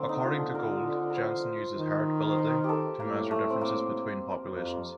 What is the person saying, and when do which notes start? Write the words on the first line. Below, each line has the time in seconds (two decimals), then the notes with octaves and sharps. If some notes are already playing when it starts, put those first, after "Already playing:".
According to Gould, Jensen uses heritability to measure differences "between" populations.
Already playing: D3 A#3 C4
0.09 D#4
0.23 F4
0.39 A4
0.55 A#4
1.10 A#4
1.16 C5
1.78 D#3
2.31 C5
2.38 A#4
2.64 G4 A4
3.00 A2 A#3
3.31 A3
3.50 C4
3.61 A#3
4.53 F2